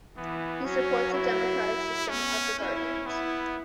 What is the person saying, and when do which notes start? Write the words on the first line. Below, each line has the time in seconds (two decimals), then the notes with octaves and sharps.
He supports the democratic system of the Guardians.
0.17 E3 B3
0.65 F#3 C#4
1.14 E4
2.10 B3 C#4
2.58 C#4 E4
3.06 B3 E4